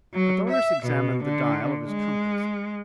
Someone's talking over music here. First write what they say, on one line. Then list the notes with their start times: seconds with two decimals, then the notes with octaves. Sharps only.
Carthoris examined the dial of his compass.
0.14 F#3
0.50 E5
0.86 B2
1.24 D3
1.87 G#3